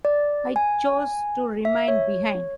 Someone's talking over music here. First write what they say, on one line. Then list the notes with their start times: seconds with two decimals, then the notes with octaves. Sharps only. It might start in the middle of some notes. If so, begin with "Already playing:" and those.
I chose to remain behind.
0.05 D5
0.56 G#5
1.65 E5
1.88 C#5